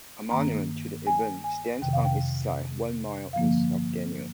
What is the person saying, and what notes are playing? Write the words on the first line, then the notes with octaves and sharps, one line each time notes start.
A monument to the event stands on its site one mile east of Daniel.
G2 D#3 A#3 A#5
G#5
G#5
F2 C3 D#3 G5
F5
G5
G2 D3 F3 A#3 F5